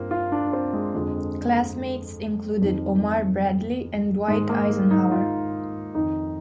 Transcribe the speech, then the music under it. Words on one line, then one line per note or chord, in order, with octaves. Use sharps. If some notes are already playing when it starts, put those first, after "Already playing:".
Classmates included Omar Bradley and Dwight Eisenhower.
Already playing: G2 A#3 C4 F4
F4
D4
D4
C4
G#3
F2 D3 F3 G#3
F2 D#3
G#2 D#3 G#3
A#3
G#3
D#4
F4
F2 D#3 D#4